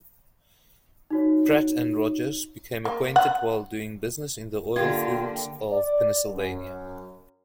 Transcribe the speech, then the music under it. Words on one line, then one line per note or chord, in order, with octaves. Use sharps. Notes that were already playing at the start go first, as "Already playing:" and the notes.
Pratt and Rogers became acquainted while doing business in the oil fields of Pennsylvania.
D#4 F#4 C#5
A#3
F#5
D3 A#3 F4 G4 G5 G#6
D5
F#2